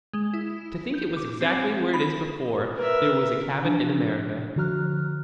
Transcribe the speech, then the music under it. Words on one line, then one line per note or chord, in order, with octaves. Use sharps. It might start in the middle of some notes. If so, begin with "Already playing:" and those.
"To think it was exactly where it is before there was a Cabot in America!"
G#3
E4
G6
D6
C4
B5
A#4 B4 E5
E3 F3 D4
D3 F3 F#4 A#5 F6 F#6